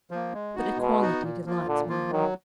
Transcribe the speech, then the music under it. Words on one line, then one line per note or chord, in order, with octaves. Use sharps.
But equality delights my heart.
F3 A#3
G#3
B3 D#4 F#4
B2 G#3
B3 D#4 F#4
A#2
F3 A#3 F4
A#2 D3
F3 A#3 F4
D#3 F#3